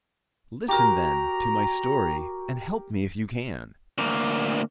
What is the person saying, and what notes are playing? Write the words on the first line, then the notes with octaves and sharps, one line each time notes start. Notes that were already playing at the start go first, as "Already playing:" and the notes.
Listen, then, to my story and help me if you can.
F#4 G4 A#4 A#5 C#6
D2 A#3